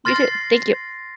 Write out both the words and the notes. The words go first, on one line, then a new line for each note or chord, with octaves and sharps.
You too. Thank you
C6 F6 A6 A#6 C7